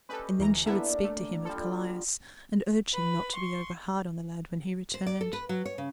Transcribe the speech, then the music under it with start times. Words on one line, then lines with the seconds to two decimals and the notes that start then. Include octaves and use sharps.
And then she would speak to him of Callias, and urge him not to be over hard on the lad when he returned.
0.09 C#4 G4 A4 B4 D#5
0.39 D2 E3 A#5
0.66 D3 A#3 B3 D4 E4 E5
1.04 A3
1.45 F3 G3 A4
2.93 B4 B5
3.35 C6 C#6
4.94 C5
5.06 D5
5.21 A4
5.33 B4
5.49 F#3
5.66 C#5
5.78 C#3